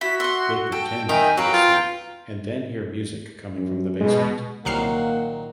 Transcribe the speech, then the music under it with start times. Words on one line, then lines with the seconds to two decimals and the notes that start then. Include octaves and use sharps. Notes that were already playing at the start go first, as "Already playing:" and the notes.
They pretend to be asleep and then hear music coming from the basement.
0.01 E4 F#4 B6
0.20 E5 F#5 C6
0.72 A4 G5
1.09 D#3 E5 G5 G#5
1.37 F#3 B4 F5 G5 A#5
1.54 F4
3.57 F#2
4.00 B2 G#3
4.65 C2 A#2 D#3 F#3 A#3 F#5 F6 C7